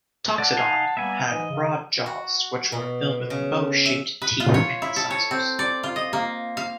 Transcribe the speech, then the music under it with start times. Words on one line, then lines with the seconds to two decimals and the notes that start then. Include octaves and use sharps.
"Toxodon" had broad jaws which were filled with bow shaped teeth and incisors.
0.38 D5 F#5 A5
0.57 D#4 F5 G#5
0.97 G3 A#3 B3 E5 G#5
1.27 G#2 E3 D#5
1.50 C#3
2.06 F#4
2.72 B2
3.30 C#3
3.85 E5
4.22 B4
4.40 F4
4.54 C#5
4.82 E4
4.96 A4
5.11 C#5
5.31 C4
5.59 D5
5.83 F4
5.96 D#5
6.13 A#3
6.57 F5